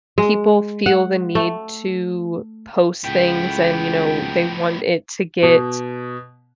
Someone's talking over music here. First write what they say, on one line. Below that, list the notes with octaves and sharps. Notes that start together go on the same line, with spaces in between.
people feel the need to post things and, you know, they want it to get,
G#3
F#5
A3
C#2 A2 B3 G5
B2